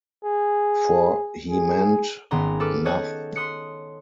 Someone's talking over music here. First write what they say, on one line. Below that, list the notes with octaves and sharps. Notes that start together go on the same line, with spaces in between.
For he meant nought.
G#4
G#4
G#1 D#3 B3 C#4 A#5 C6
A4 B4 D6 F6
C#5 D#5 A5 F#6 G6
C6 D#6 F#6 C#7